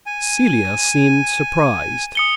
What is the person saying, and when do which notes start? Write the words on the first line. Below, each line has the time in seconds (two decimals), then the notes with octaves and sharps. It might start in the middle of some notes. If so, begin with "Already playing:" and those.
Celia seemed surprised.
0.06 G#5
2.15 D#6 C#7 G7